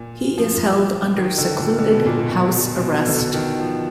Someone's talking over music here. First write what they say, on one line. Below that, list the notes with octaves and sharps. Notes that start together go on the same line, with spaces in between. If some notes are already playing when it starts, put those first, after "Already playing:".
He is held under secluded house arrest.
Already playing: A#2
F3
D#3
D3
A#2
D3
B2
A#2
B2
B2
B2
D3
D#3
F3